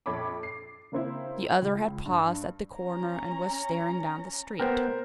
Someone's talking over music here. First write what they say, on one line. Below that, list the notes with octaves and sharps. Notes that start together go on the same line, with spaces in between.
The other had paused at the corner and was staring down the street.
A#1 F2 C#5 B5 D6
C7
C#3 A#3 C4 E4
C#2
G2
C#4 A#5
B3 A#4 C5 G5